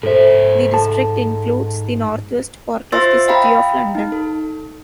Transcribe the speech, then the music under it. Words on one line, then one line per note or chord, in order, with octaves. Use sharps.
The district includes the northwest part of the City of London.
G#2 A4 C5 E5
A4 A5
F4 C5 E5 C6 E6 A6
D#5 F5 G5 A#5 B5
D#4
A4